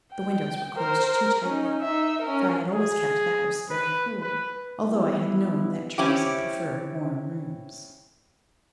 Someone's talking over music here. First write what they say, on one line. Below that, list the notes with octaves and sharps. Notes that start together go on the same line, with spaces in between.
The windows were closed too tightly; for I had always kept the house very cool, although I had known that Theresa preferred warm rooms.
G5
A#4 C5
A#4
C#4 D#4
D#4 E5
C#4 A#4
G#4
B4
B4
G3 B3 E4
C4 C#4 E4 G4